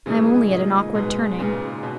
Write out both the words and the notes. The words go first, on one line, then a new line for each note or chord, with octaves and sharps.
I am only at an awkward turning.
A#2 C#3 E3 G#3 D#4 G#4 D#5
A#2 G#3 D#4 G#4 D#5
G#2 B2 G#3 D#4 G#4 B4
A#2 C#3 G#3 D#4 G#4 B4
B2 C#4